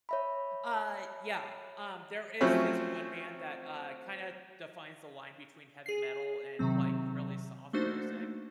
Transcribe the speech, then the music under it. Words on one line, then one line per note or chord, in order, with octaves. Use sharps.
Uh, yeah. Um, there is this one band that, uh, kinda defines the line between heavy metal and, like, really soft music,
C#5 E5 B5
F3 F#3 A3 C4 C#4
G#4 C7
C3 D#3 F#3 C4
A3 A#3 D4 D#4 F#4 C5